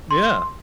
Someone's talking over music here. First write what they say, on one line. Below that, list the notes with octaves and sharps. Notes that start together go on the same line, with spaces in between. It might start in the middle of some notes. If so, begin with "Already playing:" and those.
M yeah.
C6